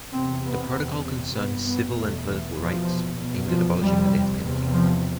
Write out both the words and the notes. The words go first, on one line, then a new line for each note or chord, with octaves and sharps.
The protocol concerned civil and political rights aimed at abolishing the death penalty.
E2 C3 C4
B3
E2 C3
G2 B3
B3
E2 B2 A3
E3
E2 B2 F3
E2 B2
F3
F2 C3 G3
E2 C3
F3